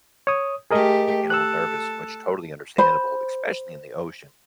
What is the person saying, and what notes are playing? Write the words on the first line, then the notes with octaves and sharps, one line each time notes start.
you get a little nervous, which totally understandable, especially in the ocean.
C#5 D#6
A3 G4 G#4 A#4 D#5
A4 E6 F#6
C5 B5